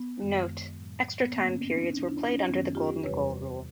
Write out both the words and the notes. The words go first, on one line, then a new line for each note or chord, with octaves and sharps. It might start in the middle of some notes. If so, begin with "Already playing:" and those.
Note: Extra time periods were played under the golden goal rule.
Already playing: B3
F#2 D#3 G#3
A2 F#3
B3
G2 D3 G3 A#3 C4
B3 C#4
C4 D4
D#2 C#3 F3 C#4 D#4
D4 E4
C#4 D#4
F#2 D#3 F#3 B3 C#4
F4 G4
E2 C3 E3 G3 B4 C#5